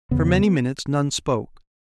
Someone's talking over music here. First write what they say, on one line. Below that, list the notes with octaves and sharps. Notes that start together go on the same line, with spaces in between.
For many minutes none spoke.
E2 C#3 B3